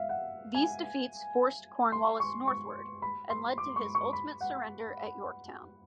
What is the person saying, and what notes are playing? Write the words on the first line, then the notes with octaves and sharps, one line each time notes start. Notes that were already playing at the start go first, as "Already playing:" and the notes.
These defeats forced Cornwallis northward, and led to his ultimate surrender at Yorktown.
Already playing: E5 F5
F#5
G#5
C6
C#6
C#6
B5
C6
D6
C#6
C#6
B5
F#5